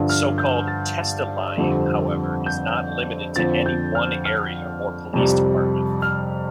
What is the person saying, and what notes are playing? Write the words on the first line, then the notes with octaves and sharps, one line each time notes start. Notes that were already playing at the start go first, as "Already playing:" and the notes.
So-called "testilying," however, is not limited to any one area or police department.
Already playing: G2 D3 F3
F6
G6
A6
F2 D3 G3 C4
G6
F2 D3 F3 C4 A6
G6
F6
F6
F2 C3 G3
F6